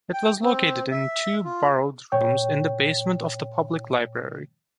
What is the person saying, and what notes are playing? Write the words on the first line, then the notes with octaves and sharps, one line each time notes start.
It was located in two borrowed rooms in the basement of the public library.
G5
C4
E5
F4
A#2 C#5 G5